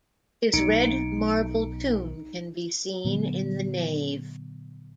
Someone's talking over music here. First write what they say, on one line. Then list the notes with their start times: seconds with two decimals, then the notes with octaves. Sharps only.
His red marble tomb can be seen in the nave.
0.53 B1 D#4 C#7 D7
3.04 A#2 D3 F#3 B3